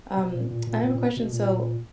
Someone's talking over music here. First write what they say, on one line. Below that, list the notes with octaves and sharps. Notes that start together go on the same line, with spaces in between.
Um, I have a question. So,
B2
A#2
A#2
A#2
A#2
A#2
B2
A#2